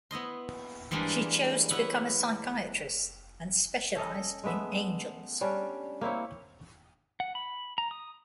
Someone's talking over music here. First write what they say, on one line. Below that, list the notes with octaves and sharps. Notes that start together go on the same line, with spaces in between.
She chose to become a psychiatrist, and specialized in angels.
B3 E4 D#5 C6
E3 G3 G#3 A#3 D4
B3 E4 B4 C#5 F#5
C#4 A4 D#5
G#3 A3 B3 E5
G3 C#4 D4
A#3 C4 E4 C#5
F#5
B5
A#5
D#6